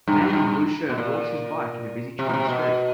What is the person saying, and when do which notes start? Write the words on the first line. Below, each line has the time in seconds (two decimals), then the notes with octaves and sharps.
Man in blue shirt walks his bike in busy China street.
0.08 G2
0.21 F#2
0.33 G2
0.90 B2
0.98 A#2
2.19 C3
2.29 B2
2.34 C3
2.49 B2